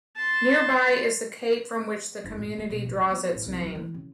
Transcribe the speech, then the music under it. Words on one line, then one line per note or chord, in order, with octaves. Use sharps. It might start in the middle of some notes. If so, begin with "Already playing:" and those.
Nearby is the Cape from which the community draws its name.
A5 C6
F#1
A2
A3
B2
A1
C#2
B3
A1
C2
F#3
E3
C#3